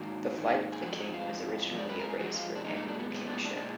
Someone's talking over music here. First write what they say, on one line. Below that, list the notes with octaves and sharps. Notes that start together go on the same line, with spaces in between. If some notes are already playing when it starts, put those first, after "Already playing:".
The Flight of the King was originally a race for an annual kingship.
Already playing: G#2 D#3 A#3 F#4
G#2 D#3 A#3
G#4
F2 F3 G#3 F#4
F#4
F4
F2 F3 G#3
F2 F3 G#3 D5
B4
A#4
G#4
F2 F3 G#3 F#4
F4
D4
A#2 G#3 D#4
D#4
D4
B3
A#2 G#3 B3
B3
D4
B3
D4
A#2 G#3 D4